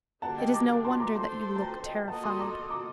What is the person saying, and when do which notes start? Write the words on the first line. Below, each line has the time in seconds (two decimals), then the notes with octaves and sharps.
It is no wonder that you look terrified.
0.22 D3 G3 A#3 D4 F#5 A5
0.38 D#5 G5
0.53 A#5 D6
0.84 A5 C6
1.00 A#5 D6
1.15 A3 D4 A4 C5 A5 C6
1.56 A5
1.62 G5 A#5
1.85 D#5 G5
2.08 A#3 F#4 A4 D#5 F#5 A5
2.24 C6 D#6
2.39 A#5 D6
2.70 A#5 D6